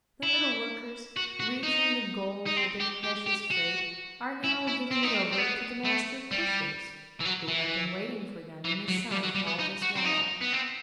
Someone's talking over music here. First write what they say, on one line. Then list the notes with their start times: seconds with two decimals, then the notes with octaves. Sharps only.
The little workers, reaching the goal with their precious freight, are now giving it over to the Master Pushers, who have been waiting for them in the sun all this while.
0.23 E4
1.16 F#4
1.40 F#4
1.63 D#4
2.46 D#4
2.57 C4
2.80 G4
3.04 G4
3.27 G4
3.51 F#4
4.44 E4
4.67 E4
4.91 C4
5.03 D#4
5.14 C4
5.32 C4
5.38 B3
5.84 A3
6.31 G3
7.20 E3
7.25 F#3
7.48 E3
8.65 E3
8.89 F#3
9.12 G3
9.24 F#3
9.35 G3
9.47 B3
9.59 D#4
9.82 F#4
9.96 C4
10.05 D#4
10.41 B3
10.53 C4